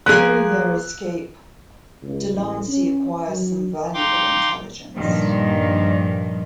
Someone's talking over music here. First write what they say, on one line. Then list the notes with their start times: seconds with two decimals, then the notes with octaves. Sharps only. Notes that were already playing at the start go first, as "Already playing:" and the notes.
During their escape Delancey acquires some valuable intelligence.
0.06 F3 A#3 G#4 F#6
2.03 C#2
2.34 A1
2.68 C#4
3.29 F#3
3.94 D#4 F5 G5 C6 D6
4.94 G2 A#2 D#3 F3